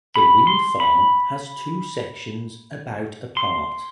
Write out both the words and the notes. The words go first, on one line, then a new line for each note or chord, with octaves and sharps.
The wind farm has two sections about apart.
B5
C6
B5
C6